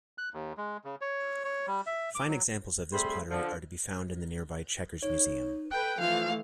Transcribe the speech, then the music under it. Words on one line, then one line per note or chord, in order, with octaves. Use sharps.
Fine examples of this pottery are to be found in the nearby Chequers Museum.
F#6
D#2
G#3
C#3
C#5
C#5
G3
E5
D6
F#3
G3 A3 C4 G#4 B5 C6
D3 F3
D#4 C#5
A4 B4 G5 F#6 G6
E3 F3 A3 F4 F5